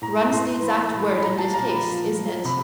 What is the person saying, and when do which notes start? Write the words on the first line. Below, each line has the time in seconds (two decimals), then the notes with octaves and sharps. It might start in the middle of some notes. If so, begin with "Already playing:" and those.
Run's the exact word in this case, isn't it?
0.02 A2 A#5
0.32 A2 C6
0.62 E3 B5
0.93 A2 B5
1.16 B5
1.23 A#2 A#5
1.39 A5
1.54 A#2 A#5
1.69 B5
1.84 F3
2.14 F3
2.45 C3 B5